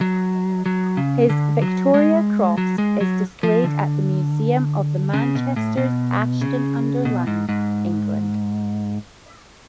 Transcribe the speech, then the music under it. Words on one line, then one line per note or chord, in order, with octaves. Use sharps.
His Victoria Cross is displayed at the Museum of the Manchesters, Ashton-under-Lyne, England.
F#3
F#3
C#3
D3
F#3
G#3
F#3
G#3
F#3
F3
D3
C#3
B2
A2
B2
C#3
B2
G#2
G#2